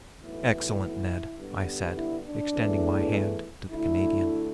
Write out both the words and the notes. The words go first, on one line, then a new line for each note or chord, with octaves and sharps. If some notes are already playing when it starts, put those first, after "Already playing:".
"Excellent, Ned," I said, extending my hand to the Canadian.
B1 A2 E3 B3 E4
G2 D3 G3 B3
E4
D4
E2 E3 A3
D2 D3 A3 E4